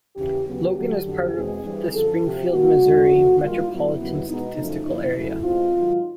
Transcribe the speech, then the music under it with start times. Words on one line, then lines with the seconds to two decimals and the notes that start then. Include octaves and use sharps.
Logan is part of the Springfield, Missouri Metropolitan Statistical Area.
0.16 D#2 C#3 E3 G4
0.45 D2 C#3 F#3 B3 G4
0.74 D2 D3 F#3 A3
1.04 F2 D3 F#3
1.33 E2 B2 G#3 C4 G#4
1.62 G2 E3 G3 C4
1.93 F#2 D3 F3 A4
2.21 D2 C3 F3 G4
2.50 A#2 G3 A#3 F#4
2.80 E2 C3 D#3 G#3
3.09 E2 C3 F3 A3
3.39 G#2 D#3 G3 A#3 F4
3.68 A2 F#3 B3 E4
3.98 D#2 C#3 F#3 B3
4.27 B2 G#3 B3 D#4
4.57 F#2 C#3 F3 A3 D#4
4.85 F#2 D3 F3 A#3 E4
5.15 E2 C#3 F#3 A3
5.44 B2 G#3 C4 F4
5.74 G#2 D#3 F#3